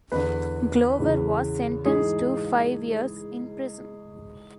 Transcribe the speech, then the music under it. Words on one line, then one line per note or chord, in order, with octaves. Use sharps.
Glover was sentenced to five years in prison.
E2 D3 B4
E2 C#3 E3
G#2 E3 G#4